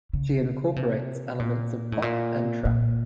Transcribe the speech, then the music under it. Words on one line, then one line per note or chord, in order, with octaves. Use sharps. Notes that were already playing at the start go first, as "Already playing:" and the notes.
She incorporates elements of pop and trap.
C#3
C3
A#2
A2
A#2
A#2